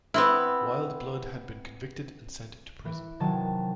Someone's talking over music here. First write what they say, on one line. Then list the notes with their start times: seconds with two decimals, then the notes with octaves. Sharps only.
Wildeblood had been convicted and sent to prison.
0.14 B3 C4 E4
2.85 E3
3.20 C3 D#3 F#3 A5